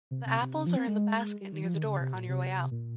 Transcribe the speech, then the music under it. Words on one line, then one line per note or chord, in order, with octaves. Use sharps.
The apples are in the basket near the door on your way out.
C3
C3
C3
C#3
F3
C4
G#3
G3
D#3
F3
D#3
C#3
C3
A#2
C3
A#2